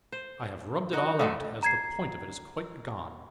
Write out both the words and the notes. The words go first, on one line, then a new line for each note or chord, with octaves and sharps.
"I have rubbed it all out, as the point of it is quite gone."
C5
D#4 F#4
D3 A3 C4
A#5 G#6 C7